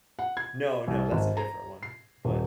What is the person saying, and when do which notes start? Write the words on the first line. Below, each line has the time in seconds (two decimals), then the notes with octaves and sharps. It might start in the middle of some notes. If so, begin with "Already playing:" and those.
No, no, that's a different one, but
0.19 F#5
0.37 G#6
0.88 C2
1.12 G#1
1.37 A#5
1.83 C7
2.25 D#1